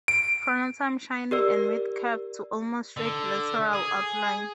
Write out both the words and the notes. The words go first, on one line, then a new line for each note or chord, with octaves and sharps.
Pronotum shiny and with curved to almost straight lateral outline.
D7
G4 A#4 D5 E6
D3
G#4